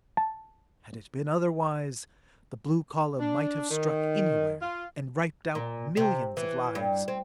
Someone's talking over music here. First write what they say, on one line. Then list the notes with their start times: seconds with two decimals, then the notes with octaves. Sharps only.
Had it been otherwise, the blue column might have struck anywhere, and wiped out millions of lives!
0.17 A5
3.20 D4
3.70 D#3
4.61 F4
5.55 A#2
5.97 C3
6.37 E3
6.75 G2
7.08 C4